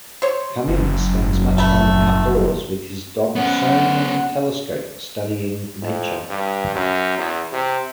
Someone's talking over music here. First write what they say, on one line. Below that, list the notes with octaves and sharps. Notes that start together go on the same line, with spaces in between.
Kamin spends much time outdoors and with his Dobsonian telescope studying nature.
C5 C#5
F#1
A#1 F#2
A3 B4
B3 C#4 F#5
F2
G2
F#2
E2
C3